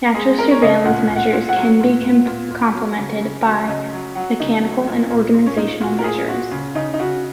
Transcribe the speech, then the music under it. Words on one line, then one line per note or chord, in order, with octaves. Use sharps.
Natural surveillance measures can be complemented by mechanical and organizational measures.
G#3 G#4
G#3 A#4
C#5
C#3 D#5
A#2 F#5
A#2
F#5
A#2
F#5
F#3
A#2
A#2
A#2
A#2
F#3
C#3
C#3
F#3
C#3 D#5
F#3
F#3 F#5
C#3 D#4
F#3
A#2
A#2
A#2
C#4
A#2 D#4
A#2 F#4
A#4
A#2 G#4
A#2 F#4
C#3
C#3 D#4
D#4
C#3 F#4